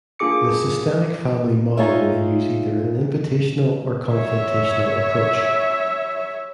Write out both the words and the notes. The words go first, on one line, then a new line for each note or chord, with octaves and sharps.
The Systemic Family Model may use either an invitational or confrontational approach.
A#3 D4 F4 G#4 D6 C#7
D#4 F4 G#4 C#5 D#5 E5
C#5 E5